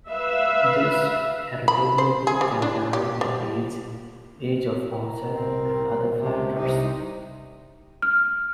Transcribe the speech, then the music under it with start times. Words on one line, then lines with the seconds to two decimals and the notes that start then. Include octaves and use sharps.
This heritability can vary by age, age of onset, and other factors.
0.11 B4 E5 F5
1.68 B5
1.98 C5
2.27 G#4
2.41 G3
2.62 D4
2.93 G4
3.21 G3
4.92 A#4
5.31 C2 C4
6.21 C#2 C3
6.57 C2 C3 D#4
8.02 F6